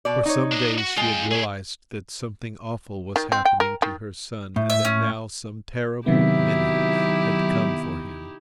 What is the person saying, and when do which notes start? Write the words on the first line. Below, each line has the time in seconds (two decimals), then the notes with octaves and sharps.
For some days she had realised that something awful was happening to her son and that now some terrible minute had come for him.
0.05 B2 D5
0.25 D#4 C#5
0.52 D4 D#5
0.78 F#4
0.97 G#3 F4 G5
1.32 A3 G#4
3.16 D#3
3.32 C4
3.45 G5
3.60 A#4
3.82 D#3
4.56 A2
4.70 E5
4.85 C#4
6.06 C3 D#3 F#3 B3 D#4 E4 G4 E5